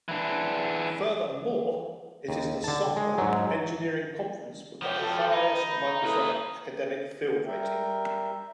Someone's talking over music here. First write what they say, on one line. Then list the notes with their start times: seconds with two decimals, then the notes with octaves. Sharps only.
Furthermore, it is the software engineering conference with the highest Microsoft Academic field rating.
0.09 E3 D4
2.28 D#2
2.64 D3 A5
2.96 G#3
3.18 G#2 F#3
4.82 F3 G4 C#5 F#5
4.98 F#4 A4 G5
5.32 D#4 B5
6.03 A#3 E4 A4 B4 D#6
7.46 G3 A#4 E5 G5